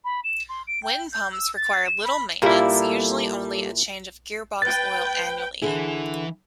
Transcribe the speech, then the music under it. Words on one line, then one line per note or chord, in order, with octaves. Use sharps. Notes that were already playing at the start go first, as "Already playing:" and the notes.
Wind pumps require little maintenance-usually only a change of gear box oil annually.
B5
E7
C6
D7
G5
G6
E6
A6
E7
B5
A#2 G3 A#3 E4 A4
B4 G5 A6
D3 E3 E4 G#4